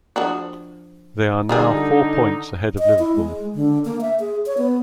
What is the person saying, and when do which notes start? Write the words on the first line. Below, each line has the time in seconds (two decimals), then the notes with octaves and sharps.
They are now four points ahead of Liverpool.
0.16 F3 D4 F#4
1.49 D3 G3 D#4 F4 G#4
2.79 D#5
2.99 E4
3.15 G#3
3.55 D3
3.85 A#3
4.01 E5
4.20 G#4
4.46 C#5
4.58 B3